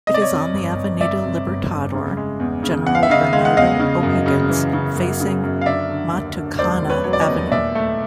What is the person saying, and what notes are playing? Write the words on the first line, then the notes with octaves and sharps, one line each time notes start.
It is on the Avenida Libertador General Bernardo O'Higgins, facing Matucana avenue.
C3 D#5
D5
C#5 D#5
F2
G1
F2
G1 D5 E5
C3
G1
F2
C#3
G#3
E2
C#3
E2 F#5
F5
E5
C#3 D#5 F5
G#3 F5
F#5
E2 D#5 F5
C#3
F#2
C#3
E3
C#3
F#2
C#3
F#2
F5
D3 D5 E5
D3
D#2
D3
E1 C5 D5
E1
B4 C#5
F#3 C#5
D5
C#5 D#5
D#2
A#2 D5 E5
A3